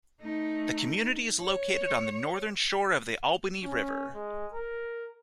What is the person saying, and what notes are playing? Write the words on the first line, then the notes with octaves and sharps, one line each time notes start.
The community is located on the northern shore of the Albany River.
A3 D#4
C#5
C#4
G#3
A#4